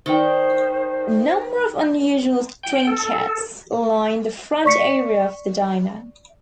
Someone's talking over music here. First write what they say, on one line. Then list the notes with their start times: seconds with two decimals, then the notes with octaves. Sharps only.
A number of unusual trinkets line the front area of the diner.
0.06 D#3 D4 C5 G5 G7
2.63 G5
2.87 A4
4.65 D5 C#6 B6 C#7